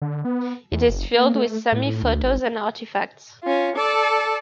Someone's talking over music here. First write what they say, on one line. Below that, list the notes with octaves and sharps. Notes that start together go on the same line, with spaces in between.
It is filled with Sami photos and artifacts.
D3
B3
E2
F#1
A#3
A3
A2
D2
G#1
C#4 F4
A4 D5